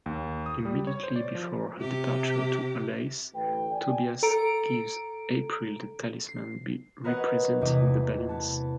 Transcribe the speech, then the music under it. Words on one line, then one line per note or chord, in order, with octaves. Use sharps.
Immediately before her departure to Alais, Tobias gives April the Talisman representing the Balance.
D#2
D#6
G3
C#5
C5
D5
F3
C3 G4
A1 D2 E3 A3 B4 G5
B4 D5 G5 G#5
A4 A#5 D7
C7
F#4 A#4 B4 C#5 D#5 F#5
E2 C3 A3 E4 B4 D#5
B3 A5